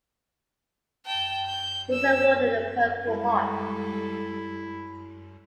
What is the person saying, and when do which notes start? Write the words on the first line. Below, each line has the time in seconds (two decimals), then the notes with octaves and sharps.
He was awarded the Purple Heart.
1.06 G5 A5
1.47 G6
1.92 E6
3.07 G3 G#3 E4 A4